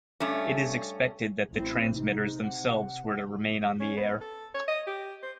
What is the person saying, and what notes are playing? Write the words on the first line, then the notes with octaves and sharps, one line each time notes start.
It is expected that the transmitters themselves were to remain on the air.
G2 A3 C#4
A1 C4 E4
C3 D#4
F#5
C#4
B3
A4
C#5
D#5
G4
C5